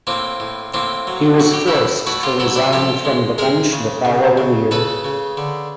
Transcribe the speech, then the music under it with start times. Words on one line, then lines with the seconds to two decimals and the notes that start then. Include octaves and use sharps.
He was forced to resign from the Bench the following year.
0.07 A2 A#3 C4
0.40 A2
0.74 A2 A#3 C4
1.07 F#3
1.40 A2 F#4
1.53 G4
1.67 E4 F#4
1.74 A2
2.07 A3 E4 F#4
2.23 F4 G4
2.40 F#3 E4 F#4
2.55 D4 E4
2.73 F3 G4 A4
3.05 G#3
3.38 G#3 G#4 A#4
3.72 C#3
4.05 C#3
4.37 C#3
4.71 C#3 A4 B4
5.04 C#3
5.37 D3